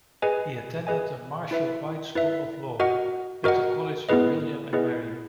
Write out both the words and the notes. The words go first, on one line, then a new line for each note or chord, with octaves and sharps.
He attended the Marshall-Wythe School of Law at the College of William and Mary.
G#4 B4 D#5 G#5
G#4 B4 D#5 G#5
E4 B4 E5
E4 B4 E5
F#4 A#4 D#5 F#5
F#4 A#4 D#5 F#5
B3 E4 G#4 B4 D#5
B3 E4 G#4 B4 D#5